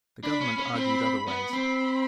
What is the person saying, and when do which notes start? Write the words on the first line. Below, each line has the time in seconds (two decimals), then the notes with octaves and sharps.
The Government argued otherwise.
0.23 D4 B5
0.41 C#4
0.58 C#4
0.75 C4 B5
1.27 B3 B5
1.53 C4